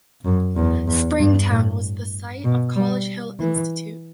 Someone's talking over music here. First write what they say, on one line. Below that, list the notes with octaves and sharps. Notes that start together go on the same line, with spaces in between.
Springtown was the site of College Hill Institute.
F#2
E2
E2
G2
A2
B2
G3
E3